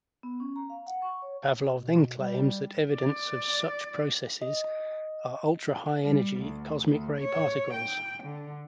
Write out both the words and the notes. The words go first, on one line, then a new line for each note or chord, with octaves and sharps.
Pavlov then claims that evidence of such processes are ultra-high-energy cosmic ray particles.
B3
C#4
A#5
F5
F#5
C#6
C#5
B2
G3
D5
D#5
G3
D2
D2
C#5
G5
D3